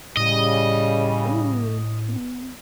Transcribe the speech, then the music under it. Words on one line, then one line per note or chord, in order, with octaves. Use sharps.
"Ooh, can you
A2 C#3 G3 D#5